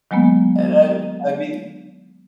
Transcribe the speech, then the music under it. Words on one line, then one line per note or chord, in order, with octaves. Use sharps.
And I I mean
D#3 F#3 G#3 A#3 B3